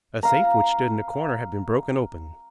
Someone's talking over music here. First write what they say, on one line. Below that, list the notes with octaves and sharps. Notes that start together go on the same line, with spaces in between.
A safe which stood in a corner had been broken open.
F5 A#5